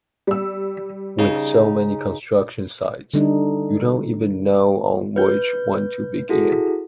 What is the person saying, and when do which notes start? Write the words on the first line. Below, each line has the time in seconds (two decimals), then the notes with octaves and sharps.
With so many construction sites, you don’t even know on which one to begin.
0.27 G3 E6
1.18 C#3 D#4
3.14 D3 G3 D4 D#4
5.16 B4 G6
6.29 E4 F#4 G#4 A4